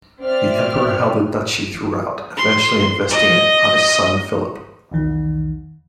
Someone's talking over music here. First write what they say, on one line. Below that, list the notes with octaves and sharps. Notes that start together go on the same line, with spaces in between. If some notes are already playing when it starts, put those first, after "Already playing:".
The emperor held the duchy throughout, eventually investing it on his son Philip.
C4 D5 E5 F6
C6
D#5
B1 E2 D#3